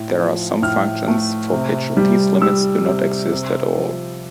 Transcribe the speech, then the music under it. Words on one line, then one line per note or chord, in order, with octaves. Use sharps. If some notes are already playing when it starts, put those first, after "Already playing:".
There are some functions for which these limits do not exist at all.
Already playing: A2
F3
A2 F6
A3
C3
G3
G3 E6
C3
C3
F3